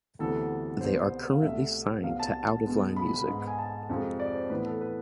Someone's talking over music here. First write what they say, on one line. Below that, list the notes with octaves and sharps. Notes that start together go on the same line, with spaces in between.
They are currently signed to Out of Line Music.
D2 C3 E3 B3 A4
C2 B2 B3 C5
F5
C2 B2 A3 E5
C2 B2 B3 F5
A5
B2 G#3 B3
B5
B5
G#2 G#3 B3
G#5
A5
F2 C3 F3 G#3
D5
C5
A2 E3 B3 B4
A4
B4